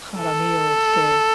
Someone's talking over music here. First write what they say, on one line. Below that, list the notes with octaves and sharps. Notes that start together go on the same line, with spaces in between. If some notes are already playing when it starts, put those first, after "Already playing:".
Jaramillo is gay.
A4